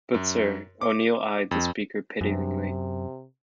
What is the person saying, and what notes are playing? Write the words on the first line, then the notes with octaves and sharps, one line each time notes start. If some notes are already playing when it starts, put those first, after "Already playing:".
"But sir — " O'neill eyed the speaker pityingly.
F#2
D6
F2
F#2 C3